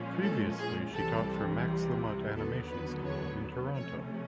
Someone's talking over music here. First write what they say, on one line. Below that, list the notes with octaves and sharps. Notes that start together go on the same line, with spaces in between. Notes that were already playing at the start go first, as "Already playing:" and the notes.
Previously she taught for Max the Mutt Animation School in Toronto.
Already playing: A#2 F3 G#3 C#4
A4
G#4
C2 C3 E3 G3 A4
D#2 D3 F#3 B3 A4
B4
C#5
C3 F3 A3 C#4 C#5